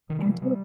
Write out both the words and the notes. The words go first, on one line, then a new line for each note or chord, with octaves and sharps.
You do it.
C3 D#3
G3
C3 F3
C3 G3